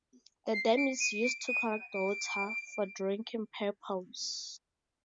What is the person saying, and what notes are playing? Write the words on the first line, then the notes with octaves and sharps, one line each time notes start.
The dam is used to collect water for drinking purpose.
C7
D7
D#7
D7
D#7
D7